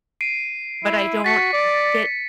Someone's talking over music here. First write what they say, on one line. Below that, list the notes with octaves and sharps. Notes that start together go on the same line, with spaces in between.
but I don't v get
C7 D7 D#7
E4
F#4 A6 B6 C#7
D5